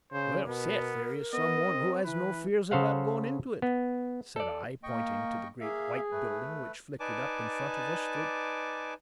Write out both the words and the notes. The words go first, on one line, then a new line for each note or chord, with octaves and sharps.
"Well, Seth, there is some one who has no fears about going into it," said I, pointing to the great, white building which flickered up in front of us through the gloom.
C#3 C5
B2 B3 A#4
B3 D#5
C4
E3 E4 B4
C#3 A4 C5 F5 F#5
B3
A4 D5
A#3 D#5 G5 C#6
A#3 G#4 E5 F5
A3 B4
D#4 B4 D5 G#5 A5 D6